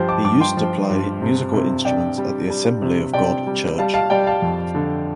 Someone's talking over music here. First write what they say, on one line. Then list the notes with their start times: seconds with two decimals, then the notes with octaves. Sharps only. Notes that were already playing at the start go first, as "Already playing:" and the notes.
He used to play musical instruments at the Assembly of God Church.
Already playing: G2 F3 G4 C5
0.09 A5 D6
0.25 G2 A5 D6
0.40 G5 C6
0.57 F3
0.90 G2
1.22 C3
1.54 C3
1.85 C3 D5 G5
2.18 G3
2.50 G3
2.82 C3
3.13 C3 D5 G5
3.47 G3
3.78 G3 F5 A5
3.94 F5 A5
4.10 G3 D5 G5
4.27 F5 A5
4.42 F2
4.75 D3